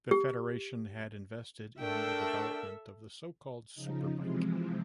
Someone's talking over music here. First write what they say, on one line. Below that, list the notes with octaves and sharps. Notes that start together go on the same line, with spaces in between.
The federation had invested in the development of the so-called SuperBike.
G4
A3 D4 A4 A#4 E5 G5
C#3 F3 D#4
C3 E3 F3 G#3 C4